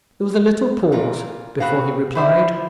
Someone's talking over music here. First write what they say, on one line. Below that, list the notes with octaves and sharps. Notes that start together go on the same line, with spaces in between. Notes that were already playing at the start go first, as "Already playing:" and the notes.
There was a little pause before he replied.
A#2 E3 F4 A#4
B3 C4 F#4 F5
E4 C5 E5